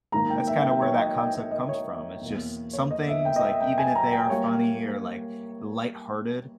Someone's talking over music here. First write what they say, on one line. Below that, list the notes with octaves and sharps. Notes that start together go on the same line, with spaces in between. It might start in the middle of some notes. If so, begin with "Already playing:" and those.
that's kinda where that concept comes from. It's just some things, like even if they are funny or, like, lighthearted,
G#2 D#3 A#3 A#5
G5
E5
G5
C#5
D#5
G5
G5
D#5
C#5
E2 B2 A#3
C#5
D#5
E5
G5
D#5
E5
G5
G#5
A#5
G5
G3 A#3 C#5